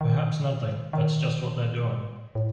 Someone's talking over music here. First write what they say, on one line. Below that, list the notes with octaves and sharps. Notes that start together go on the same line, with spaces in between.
Perhaps nothing-that's just what they're doing.
D#3
D#3
A2